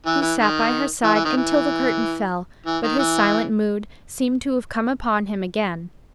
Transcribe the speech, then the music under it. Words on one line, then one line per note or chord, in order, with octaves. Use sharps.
He sat by her side until the curtain fell; but his silent mood seemed to have come upon him again.
E3
E3
D#3
E3
E3
D#3
E3
E3
D#3
E3